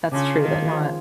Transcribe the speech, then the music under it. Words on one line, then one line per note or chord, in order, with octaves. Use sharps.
that's true that not
C#3 D4 F4 G#4
D#3
F3 G#3 C#4